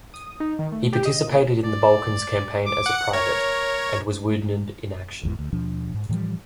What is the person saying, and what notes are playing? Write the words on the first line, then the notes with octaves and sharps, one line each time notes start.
He participated in the Balkans Campaign as a private, and was wounded in action.
D#6
D#4
D#3
A3
G4
D#5
A#2
D5
D6
F#5
A#4 C#5
G1 E2 G#2 E3
D2
D#2 B2 F3 D4
G#2
A2 E3 F3 G3